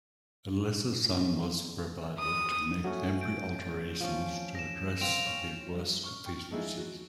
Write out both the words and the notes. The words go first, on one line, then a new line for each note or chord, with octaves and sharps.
A lesser sum was provided to make temporary alterations to address the worst deficiencies.
D#6
F#3 A3 C#4
G6 D7
F3 C#4
A#6 E7
C4 F5 D7 F7
C#4
G2
C#6 F6
G5 C#6
F3 G#3 D#4 E4 G#4
F#4